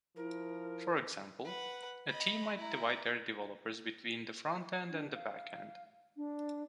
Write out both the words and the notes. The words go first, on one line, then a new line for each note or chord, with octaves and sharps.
For example, a team might divide their developers between the front-end and the back-end.
F3 E4 A#4
B4 F#5
D#5 B5
E4 A#5
D4
F5
D4